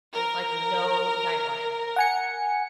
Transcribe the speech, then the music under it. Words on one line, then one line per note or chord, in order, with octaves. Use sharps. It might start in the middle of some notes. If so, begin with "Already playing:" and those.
There's, like, no nightlife.
A#4
F#5 G#5 C#7